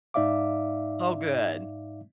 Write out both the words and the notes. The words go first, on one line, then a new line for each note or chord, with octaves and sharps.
Oh, good.
G#2 D#4 D5 E5 F5 D6